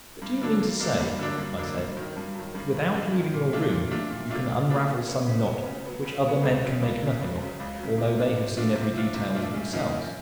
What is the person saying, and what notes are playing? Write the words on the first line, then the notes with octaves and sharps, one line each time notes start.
"But do you mean to say," I said, "that without leaving your room you can unravel some knot which other men can make nothing of, although they have seen every detail for themselves?"
G2
D3 F#3 A#3 D4
G2
D3 F#3 A#3 D4
G2
D3 F#3 A#3 D4
G2
D3 F#3 A#3 D4
G2
D#3 F#3
G2
D#3 F#3
G2
D#3 F#3
G2
D#3 F#3
A#2
F#3 A3 D4 F4
A#2
F#3 A3 D4 F4
A#2
F#3 A3 D4 F4
A#2
F#3 A3 D4 F4
C#3
F#3 B3
C#3
F#3 B3
C#3
F#3 B3
C#3
F#3 B3
C#2
C#3 F#3
C#2
C#3 F#3
C#2
C#3 F#3
C#2
C#3 F#3
C3
F3 A3 D4 F4
C3
F3 A3 D4 F4
C3
F3 A3 D4 F4
C3
F3 A3 D4 F4
F#2
C#3 F3 A#3 D#4
F#2